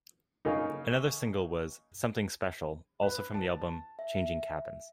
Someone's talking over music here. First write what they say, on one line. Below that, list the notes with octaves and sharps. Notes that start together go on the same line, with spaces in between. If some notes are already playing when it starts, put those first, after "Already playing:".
Another single was "Something Special", also from the album "Changing Cabins".
C#3 A#3 D#4
B4
A5
E5